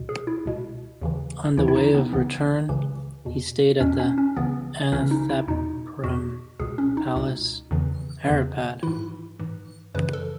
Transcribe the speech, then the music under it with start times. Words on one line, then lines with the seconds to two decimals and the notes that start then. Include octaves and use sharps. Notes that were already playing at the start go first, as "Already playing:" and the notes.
On the way of return, he stayed at Ananthapuram Palace, Haripad.
Already playing: C#2 B2
0.09 G#4
0.27 E4
0.45 C#2 B2
1.01 D#2 C#3 E3
1.57 D#2 C#3 E3 E4
1.68 E4
1.76 D#4
1.95 B3
2.13 C#2 C#3 E3 B3
2.69 C#2 C#3 E3
3.25 E2 B2
3.80 E2 B2 C#4
4.00 C#4
4.18 C#4
4.37 C#2 C#3 E3 B3
4.92 C#2 C#3 E3 C#4
5.11 D#4
5.29 E4
5.48 E2 B2 D#4
6.04 E2 B2 F#4
6.60 C#2 B2 G#4
6.78 C#4
6.97 D#4
7.16 C#2 B2
7.71 E2 C#3 E3
8.27 E2 C#3 E3
8.83 G#2 E3 E4
9.39 G#2 E3
9.94 F#2 C#3 E3 B4
10.13 A4